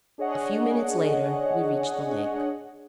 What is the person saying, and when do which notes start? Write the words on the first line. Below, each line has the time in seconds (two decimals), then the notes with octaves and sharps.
A few minutes later we reached the lake.
0.18 D4 G#4 C#5 D#5 F#5